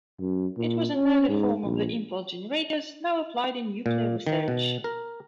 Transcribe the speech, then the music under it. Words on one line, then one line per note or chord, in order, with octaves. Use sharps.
It was an early form of the impulse generators now applied in nuclear research.
F#2
A#2
C#4
G#2
A#1
A#2
D#3
B2
A#4